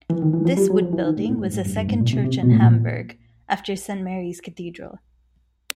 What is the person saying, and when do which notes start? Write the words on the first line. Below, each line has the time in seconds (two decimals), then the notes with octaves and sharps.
This wood building was the second church in Hamburg, after Saint Mary's Cathedral.
0.10 E3
0.22 D#3
0.33 E3
0.45 F3
0.57 G3
0.70 F#3
0.82 F3
0.93 E3
1.05 D#3
1.17 A2
1.29 A2
1.41 G#2
1.54 G#2
1.66 G2
1.77 G2
1.88 G#2
2.01 A#2
2.13 C3
2.24 C3
2.43 B2
2.52 A2
2.61 A#2